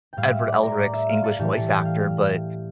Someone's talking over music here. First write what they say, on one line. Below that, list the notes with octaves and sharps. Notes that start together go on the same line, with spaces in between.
Edward Elric's English voice actor, but
A2 G3 F5 G5
E5
D5
A#4
D5
E5
F5
A4
A2 E3 G3 G4
A4
G5
F5
F5